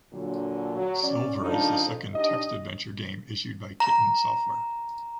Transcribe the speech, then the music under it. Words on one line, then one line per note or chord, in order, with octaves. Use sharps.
Silver is the second text adventure game issued by Kitten Software.
A#2 D3 F#3
F#3
C#4 D5
G#2 C#3 F3 D4 D#4 A4
D4 D#4 G4 D#5
A#5